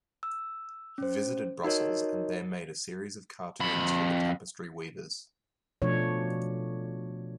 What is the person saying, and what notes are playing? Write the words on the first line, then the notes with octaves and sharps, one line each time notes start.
He visited Brussels, and there made a series of cartoons for the tapestry-weavers.
E6
C#4 C5
D#4 F#4 A#4 C#5 D#5
F2 B5
B2 F3 A3 D4 C#5